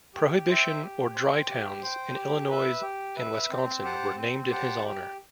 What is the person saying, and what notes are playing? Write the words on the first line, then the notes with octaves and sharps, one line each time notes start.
Prohibition or dry towns in Illinois and Wisconsin were named in his honor.
G4
C5 E5 G5
G4
C5 G5
G4
C5 G5
G4
B4 E5
G4
B4 E5
C4
G4 C5 F#5 A5
C4
G4 C5 F#5 A5
G4